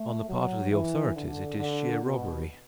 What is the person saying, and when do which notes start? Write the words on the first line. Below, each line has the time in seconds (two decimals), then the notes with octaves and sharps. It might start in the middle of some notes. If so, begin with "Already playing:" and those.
On the part of the authorities it is sheer robbery.
Already playing: A3
0.27 F#3
0.71 E3
1.15 D3
1.58 D3
2.02 B2